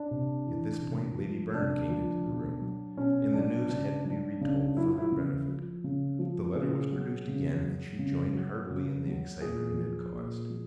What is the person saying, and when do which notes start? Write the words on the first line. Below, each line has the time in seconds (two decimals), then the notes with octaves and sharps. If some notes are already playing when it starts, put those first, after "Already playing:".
At this point Lady Byrne came into the room, and the news had to be retold for her benefit; the letter was produced again, and she joined heartily in the excitement it had caused.
Already playing: D4
0.11 C3
0.47 E3
0.82 C3
1.18 F3
1.54 C3 D4
1.89 F3
2.26 B2
2.61 F#3
2.97 B2 C#4
3.34 F#3 D4
3.69 C#3 D4
4.05 F#3 D4
4.41 C#3 D4
4.76 F#3 E4
4.88 F4
4.98 E4
5.12 C#3
5.48 F3
5.84 C#3
6.19 F3
6.55 C#3 G#4
6.91 F#3
7.28 C#3
7.63 F#3
7.99 C#3
8.34 F#3
8.70 C#3
9.06 F#3
9.41 A#2 G#4
9.77 F3
10.14 A#2
10.50 F3